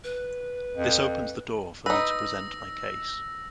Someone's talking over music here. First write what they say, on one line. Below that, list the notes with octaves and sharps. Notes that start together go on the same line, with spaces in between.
This opens the door for me to present my case.
B4
F2
D#4 B4 E6 A#6